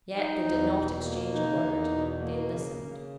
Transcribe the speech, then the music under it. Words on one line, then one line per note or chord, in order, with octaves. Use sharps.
Yet they did not exchange a word; they listened.
D#4
E2
B2
A#3
D#4
E2
B2
A#3
C#3
C#3